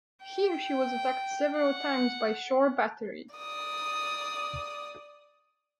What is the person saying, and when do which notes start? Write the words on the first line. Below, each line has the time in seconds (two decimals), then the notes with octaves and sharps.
Here she was attacked several times by shore batteries.
0.22 G5
1.56 F#5
3.35 D5 D#6